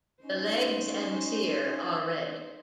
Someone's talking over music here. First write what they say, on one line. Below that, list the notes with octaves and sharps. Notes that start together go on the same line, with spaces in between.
The legs and cere are red.
C#4 D#4 C5